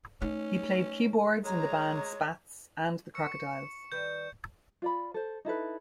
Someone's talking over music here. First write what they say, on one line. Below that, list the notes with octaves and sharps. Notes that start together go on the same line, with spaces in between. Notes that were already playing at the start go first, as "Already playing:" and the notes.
He played keyboards in the bands Spats, and The Crocodiles.
A3 C#4 D#4
G#3 C#5 A#5
C#6 C#7
D#3 G3 B4 G6
F4 D5 B5
A4 C5
D#4 E4 A4 B4